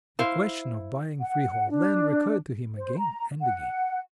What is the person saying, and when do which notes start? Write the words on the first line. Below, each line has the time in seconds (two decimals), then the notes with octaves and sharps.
The question of buying freehold land recurred to him again and again.
0.19 E4 C5 F5
1.21 F#5
1.70 D4
2.77 C5
2.98 A#5
3.41 F#5